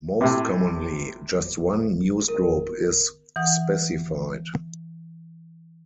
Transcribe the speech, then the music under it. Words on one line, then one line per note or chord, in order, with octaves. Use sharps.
Most commonly, just one newsgroup is specified.
A2 C3
A#4
E3 F#5 D#6